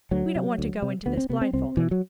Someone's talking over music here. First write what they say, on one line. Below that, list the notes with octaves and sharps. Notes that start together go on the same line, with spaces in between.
"We don't want to go into this blindfolded."
D2 F#3
C3
D2
C3
D2 B3
C4
C3 B3
C4
C2 C4
B2 E3
F#3